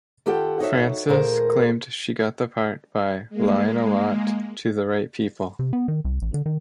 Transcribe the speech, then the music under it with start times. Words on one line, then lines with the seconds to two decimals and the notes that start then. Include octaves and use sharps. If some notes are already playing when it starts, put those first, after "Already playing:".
Francis claimed she got the part by "lying a lot, to the right people".
0.26 D#3 F4 G4 A4 F#5 G5
0.60 D#4 F#4 C#5 E5
1.08 D#2 A#2 A3 G#4 A#4 C5
3.29 G#3 A#3
5.59 C3
5.73 B3
5.88 D#3
6.05 C2
6.22 A1
6.34 D3
6.46 D#3